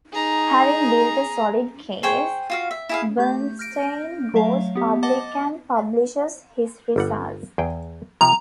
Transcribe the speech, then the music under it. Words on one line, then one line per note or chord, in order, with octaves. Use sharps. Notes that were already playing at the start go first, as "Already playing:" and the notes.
Having built a solid case, Bernstein goes public and publishes his results.
D#4 G#4 A#5
G#4 C5 G5 C#6
F4 F#4 F5
E5
E4 G#4 F5
A3 G4 G6
F6 G6 A#6 D7
F#3 A3 E5 F5
B3 G4
D#5 F#5 A5 D6 A6
G1 G3 F#5
E2 G#4 G5
C3 F3 A#5